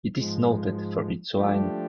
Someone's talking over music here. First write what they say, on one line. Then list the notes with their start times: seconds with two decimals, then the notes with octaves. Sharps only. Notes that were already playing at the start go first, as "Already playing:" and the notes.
It is noted for its wine.
0.17 G#2 F3 G#3
1.34 F3 A3 D4 G4